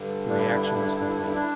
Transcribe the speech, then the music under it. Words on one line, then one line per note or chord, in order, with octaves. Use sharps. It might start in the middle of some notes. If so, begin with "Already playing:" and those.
The reaction was complete.
Already playing: G2 D3
D4
E4
D4
E4
D4
E4
D4
E4
D4
E4
D4
E4
D4